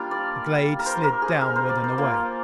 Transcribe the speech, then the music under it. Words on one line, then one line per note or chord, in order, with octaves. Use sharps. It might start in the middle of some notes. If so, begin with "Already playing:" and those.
The glade slid downward and away.
Already playing: G3 A#3 D4 F4 F5
D5
A#4
C5
A#4
G#4
A#4
C5
D5
C5
A#3 F4